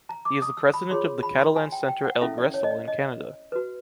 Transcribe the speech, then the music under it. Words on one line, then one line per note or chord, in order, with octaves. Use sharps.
He is the president of the Catalan center El Gresol in Canada.
A#5
D6
D#6
E6
B5
F4 G#4 C#5 C6
B5
C6
G#5
G5
G5
F#5
C#4 E4 A4 E5
D5
C#5
D#5
D5
D#5
F#4 B4